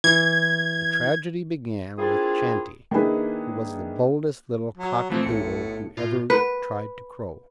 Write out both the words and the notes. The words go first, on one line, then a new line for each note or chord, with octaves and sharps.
The tragedy began with Chanty, who was the boldest little cockadoodle who ever tried to crow.
E3 G#6
A#3 C4 D4 E4 F4 G#4
D#3 A#3 D4 E4 G#4 B4
F#3
E3 F3 A3 C4
B1 A2 C#7
A2 F4
B4